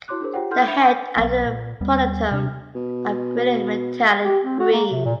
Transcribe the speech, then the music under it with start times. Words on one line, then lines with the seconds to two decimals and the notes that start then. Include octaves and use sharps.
The head and the pronotum are brilliant metallic green.
0.08 E4 F#4 C#5 C6 D6 F#6
0.21 D4 G#4 A#4 C5
0.33 F4 G4 C5 C#5 F#5 G5
0.51 E4 A4 F#5 C6 F6 G6
0.67 D4 E5 B5 F7
0.81 A5 D6 G6 B6 D#7
1.17 B1 F#3 B3
1.46 A#2
1.81 D#2 G3 B3
2.31 C3 D4
2.75 B2
4.25 G4
4.43 C4
4.60 F#4
4.72 A#3
4.92 C3
5.05 A#2